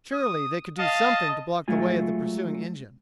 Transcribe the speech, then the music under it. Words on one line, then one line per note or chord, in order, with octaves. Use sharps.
Surely they could do something to block the way of the pursuing engine.
D#6
D#5 F5 A5
F#3 G#3 A3 F4 G#5